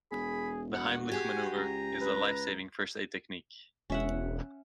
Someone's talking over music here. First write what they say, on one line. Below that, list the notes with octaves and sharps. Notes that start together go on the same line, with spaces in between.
The Heimlich manoeuvre is a lifesaving first aid technique.
E1 G#4 B5
F#4 F#5
G4 G#4 G#5
C#2 A#5
B4
E1 C#4 E5 F#5